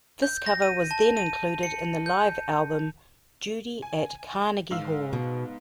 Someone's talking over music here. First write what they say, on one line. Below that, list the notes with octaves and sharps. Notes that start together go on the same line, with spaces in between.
This cover was then included in the live album "Judy at Carnegie Hall".
G6
A#6
D#7
A5
D#7
C#7
G6
G#5
G#2 F5 E6
B2